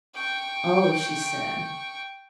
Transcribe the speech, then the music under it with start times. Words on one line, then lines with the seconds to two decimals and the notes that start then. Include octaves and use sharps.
"Oh," she said.
0.15 G5 C#6